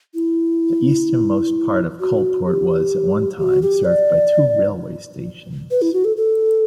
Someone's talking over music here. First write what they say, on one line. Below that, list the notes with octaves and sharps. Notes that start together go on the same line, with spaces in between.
The easternmost part of Coalport was, at one time, served by two railway stations.
E4
F#4
G4
G4
F#4
G4
D5
B4
E4
F#4
A4
A4